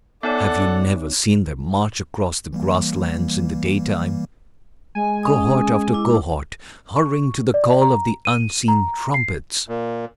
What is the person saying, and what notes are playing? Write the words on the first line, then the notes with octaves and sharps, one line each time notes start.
Have you never seen them march across the grass-lands in the daytime, cohort after cohort, hurrying to the call of the unseen trumpets?
B3 D#4 A4 C#5 D5 F#5
E3 G3 A#3
G#3 G#5
C#4 D#5 D#6
E4 D6
C#6
D5
A#5
D#7
A#5
C7
A#2